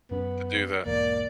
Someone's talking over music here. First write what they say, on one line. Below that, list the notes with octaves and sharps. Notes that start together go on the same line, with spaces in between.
to do that.
F#2 F#3 B3 C#4
B1 E2 G#2 A#3 D5